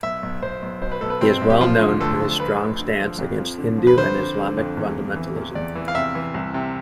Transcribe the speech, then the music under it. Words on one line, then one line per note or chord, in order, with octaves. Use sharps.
He is well known for his strong stance against Hindu and Islamic fundamentalism.
B1 E5
B1
B1 C5
B1
B2 C5
B4
B1 A4
B4
B2 C4
B1
G4
F3 F4
D3
D2 A4
F3
F3 B4
D2
D3
F3
F2
F3
D3
F3
B4
D3 C5
D3
D3
F2
E2
E2
E3
E2
E2 D5
E3
F5
C3 E5
E3
C2
C3